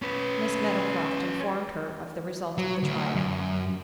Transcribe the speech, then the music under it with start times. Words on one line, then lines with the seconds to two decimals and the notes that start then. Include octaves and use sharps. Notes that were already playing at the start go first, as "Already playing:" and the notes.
Miss Meadowcroft informed her of the result of the trial.
0.02 C#4 B4
2.58 F#3
2.83 D2
3.15 F#2